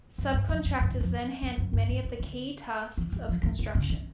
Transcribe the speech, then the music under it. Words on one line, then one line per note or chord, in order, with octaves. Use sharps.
Subcontractors then handled many of the key tasks of construction.
F#2
G2
F2
F2
F#2
F#2
F2
F2
F#2
G2
G#2
D3
D3
E3
E3
F3
D#3
D3
C#3
D#3